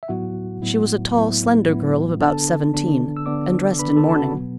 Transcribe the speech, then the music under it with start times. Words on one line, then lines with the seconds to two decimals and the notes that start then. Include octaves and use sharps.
She was a tall, slender girl of about seventeen, and dressed in mourning.
0.03 E5
0.08 A2 F#3 B3 E4 F#4 F#5
0.62 A2 F#3 B3 E4
1.15 A2 F#3 B3 E4
1.67 A2 F#3 B3 E4
2.21 D3 B3 D4 A4 A5
2.74 D3 B3 D4
3.17 E6
3.26 D3 B3 D4 D5 D6
3.79 D3 B3 D4 B4 B5
3.97 A4 A5
4.09 A5
4.15 F#4 F#5
4.32 B2 F#3 B3